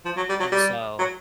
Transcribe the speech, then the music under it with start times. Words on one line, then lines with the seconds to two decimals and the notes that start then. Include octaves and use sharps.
And so,
0.05 F3
0.16 F#3
0.29 G3
0.40 F#3
0.51 G3
0.99 F#3